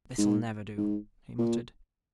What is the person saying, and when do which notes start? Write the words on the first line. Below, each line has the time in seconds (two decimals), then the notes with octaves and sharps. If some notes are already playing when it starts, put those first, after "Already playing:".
"This'll never do," he muttered.
0.18 G#2
0.78 G#2
1.38 A#2